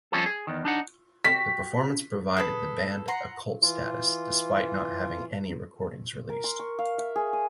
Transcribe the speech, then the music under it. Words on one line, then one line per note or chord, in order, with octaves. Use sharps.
The performance provided the band a cult status, despite not having any recordings released.
F3 G3 C4 C#4 F4 A4
G#4
E2 D#3
D4 D#4 F#5
F#4 G4 B6
G#4 A4 B4
F#5 A#5 C6
E3 F4
A#4
C6
C#6
F5
E5
G#4
D#6